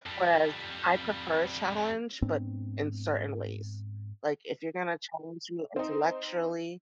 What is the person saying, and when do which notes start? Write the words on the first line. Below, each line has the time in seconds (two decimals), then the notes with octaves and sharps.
Whereas, I prefer a challenge, but in certain ways. Like, if you're gonna challenge me intellectually,
0.06 F2 G3
2.22 G#2 B3 C4 D4
5.76 C4 D#4